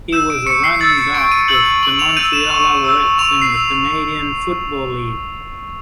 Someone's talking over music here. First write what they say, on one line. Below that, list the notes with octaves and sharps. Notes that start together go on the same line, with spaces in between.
He was a running back with the Montreal Alouettes in the Canadian Football League.
E6 G6 E7
D7
C#6 C#7
C7
E6 G6 A6
C#7
C#6 D7
D#7
E6 G6 F#7
C#6 F#7
F7
E6 G6 D#7
E7
C#6
E6 G6
C#6 F7
C7
E6